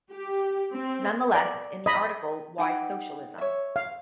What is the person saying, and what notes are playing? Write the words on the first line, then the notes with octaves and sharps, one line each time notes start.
Nonetheless, in the article Why Socialism?
G4
C4
D5
D#5 B5
D#4 F#5 G5
C#5 E5
F5